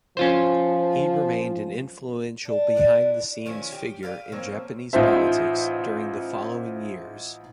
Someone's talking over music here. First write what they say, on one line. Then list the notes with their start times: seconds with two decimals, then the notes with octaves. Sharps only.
He remained an influential behind-the-scenes figure in Japanese politics during the following years.
0.17 F3 C#4 F4 C5
2.45 D4
2.77 D4 E4 B4
3.46 D#3 F3 C#4 E4
3.72 G4
4.03 G4 A4 B4 F5
4.32 F3 A#3 C4 C#4
4.93 A1 D#4 F4 C5 E5